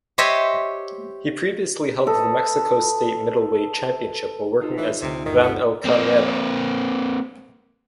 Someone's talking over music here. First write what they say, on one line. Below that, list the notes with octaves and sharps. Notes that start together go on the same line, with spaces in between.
He previously held the Mexico State Middleweight Championship while working as Ram el Carnero.
G4 C5 C#5 D#5 E5
A4 B4 D#5
D#4 F4 A4
E3
D2 C3 D7
G1 D#3
B3
A#3 C4